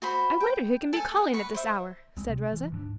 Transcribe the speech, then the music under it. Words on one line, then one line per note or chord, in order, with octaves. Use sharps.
"I wonder who can be calling at this hour," said Rosa.
F#4 C5 B5
G5
A4 G#5
F#5
B4 C#6
C5 E5
C#2 G3 G#3 C4
C3
E3 F3
D2 G#2 C4 D4